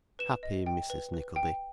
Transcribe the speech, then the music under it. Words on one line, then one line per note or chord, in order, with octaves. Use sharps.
Happy Mrs Nickleby!
B4 E7
D#5
G5
B4
B4
G5